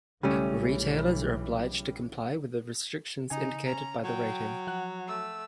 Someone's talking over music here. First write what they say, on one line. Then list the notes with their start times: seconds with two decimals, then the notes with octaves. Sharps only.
Retailers are obliged to comply with the restrictions indicated by the rating.
0.23 B1 C#3 E3 G3 A3 C#4
3.30 C#3 D#4 G#5
3.65 C#4 A#5
4.04 F#3 G5
4.67 F3 F#5 F#6
5.08 A3 E6